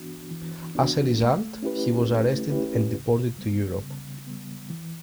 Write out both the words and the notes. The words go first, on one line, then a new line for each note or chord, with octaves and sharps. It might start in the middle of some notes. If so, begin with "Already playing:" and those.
As a result, he was arrested and deported to Europe.
Already playing: E3 B3 D4 F#4
E3
B3 D4 F#4
A3
C#4 E4 G4 B4
A3
C#4 E4 G4 B4
C#3
G3 B3
C#3
G3 B3
E3